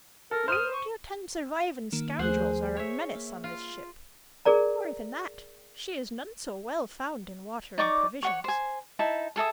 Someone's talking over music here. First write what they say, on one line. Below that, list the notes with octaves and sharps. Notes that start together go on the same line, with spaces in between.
You and your ten surviving scoundrels are a menace on this ship. More than that, she is none so well found in water and provisions.
A4 A#4
C5 D#6 F6 D#7
C#6
D#3 A#3
D#2 F3 A3 G#4 C5 F#5
C#5 E5
A#3
F4
G#4 A#4 D5 A#5
D#4 D5 C#6 D6
C#5 F#5 C#6
C5 G#5
D#4 E4 A5
G#4 A4 E5 D#6